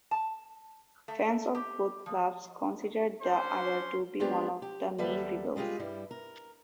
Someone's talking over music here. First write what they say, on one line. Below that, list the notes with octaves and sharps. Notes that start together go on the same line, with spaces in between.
Fans of both clubs consider the other to be one of their main rivals.
A5
A3
G4
F3
C#4 D4 C5 C6
G#3 B3 C4 D4 F4 G4
G4
D#2 F#3 G3 A4 B4 E5
G3 G#3 F4 G4 G#4
G2 G3 E4
A#4